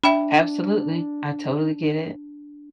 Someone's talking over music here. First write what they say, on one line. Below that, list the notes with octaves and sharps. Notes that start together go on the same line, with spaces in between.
Absolutely. I totally get it.
D4 E5 G5 B5